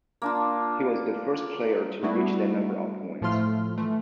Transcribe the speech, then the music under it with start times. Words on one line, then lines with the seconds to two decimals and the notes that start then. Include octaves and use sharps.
He was the first player to reach that number of points.
0.22 A#3 D4 F4
2.02 G3 A3 B3 D4 E4 F#4
3.22 A2 F3 A3 F4 C6 F6
3.78 E3 A3